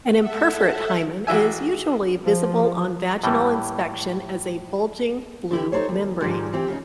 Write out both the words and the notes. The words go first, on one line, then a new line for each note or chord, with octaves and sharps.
An imperforate hymen is usually visible on vaginal inspection as a bulging blue membrane.
A4 E5 F#5
A1 F#4 E5 G#5
F3
A2 E3 G3
D3 E4 G4
D#4 F#4 A4 C5 C#5
D#2
G#2 D#3 F3 G3 G#3
E3 C4 G4
C#3 C#4 D#4